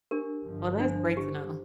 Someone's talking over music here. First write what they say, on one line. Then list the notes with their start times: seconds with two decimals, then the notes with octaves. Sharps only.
Well that's great to know.
0.11 D4 G4 A#4
0.44 G1 F3
0.80 D4 C5
1.17 D3 G4